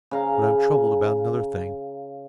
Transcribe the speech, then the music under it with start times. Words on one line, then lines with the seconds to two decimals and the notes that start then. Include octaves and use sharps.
But I am troubled about another thing.
0.11 C#3 F5 A#5